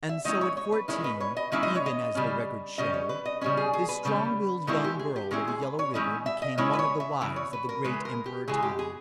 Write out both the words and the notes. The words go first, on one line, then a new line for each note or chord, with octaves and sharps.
And so at fourteen, even as the records show, this strong-willed young girl of the Yellow River became one of the wives of the great Emperor Tai.
E5
D#3 G#3 C#4 E4 D#5
C#5
C#5
B4
D#3 G#3 C#4 E4
B4
C#5
D#5
D#3 G#3 C#4 E4 E5
D#5
C#5
D#5
C#3 G3 C#4
C#3 G3 C#4 D#5
C#5
B4
D#5
C#3 G3 C#4 C#5
G#4
G#4
B4
C#3 G3 C#4
D#3 G#3 C#4 E4 A#4
G4
G#4
G4
D#3 G#3 C#4 E4 G#4
G#4
B4
C#5
D#3 G#3 C#4 E4 D#5
E5
D#5
D#3 G#3 C#4 E4 C#5
B4
C#5
E5
C#3 E3
C#5
B4
A#4
C#3 E3 G#3 B4
A#4
G4
C#3 E3 G#3 G#4
G4
G#4